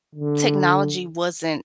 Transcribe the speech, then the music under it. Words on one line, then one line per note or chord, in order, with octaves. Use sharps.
technology wasn't
D3